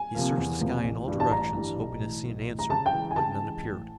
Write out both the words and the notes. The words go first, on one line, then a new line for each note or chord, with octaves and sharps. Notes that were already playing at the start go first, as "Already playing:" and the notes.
He searched the sky in all directions, hoping to see an answer but none appeared.
Already playing: G#5
C3 F3 A#3
E2
C3 F3 A#3
A1
G2 E3 G3
A5
A1 A#5
G2 E3 G3
B1
A2 E3
B1
A2 E3
A#5
C#3 A5
G5
E3 G#3
G#5
C#3 A5
E3 G#3
A1